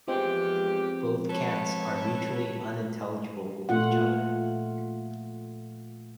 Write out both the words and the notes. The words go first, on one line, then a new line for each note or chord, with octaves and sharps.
Both cants are mutually unintelligible with each other.
E2 F3 G#3 C4 G4
A4 B4 C#5
A#2 A3 F4 F#5